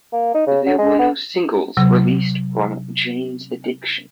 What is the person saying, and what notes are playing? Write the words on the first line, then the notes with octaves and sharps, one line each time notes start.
There were no singles released from "Jane's Addiction".
A#3
D#4
C#3
F#3
G#3
B3
C3 F#3